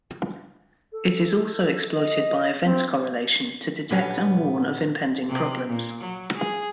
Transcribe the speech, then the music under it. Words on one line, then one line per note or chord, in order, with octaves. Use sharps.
It is also exploited by event correlation to detect and warn of impending problems.
A4
D#5
C4
A#2 D3 G3 B3 C#4
C3
A#2
F#3
G#4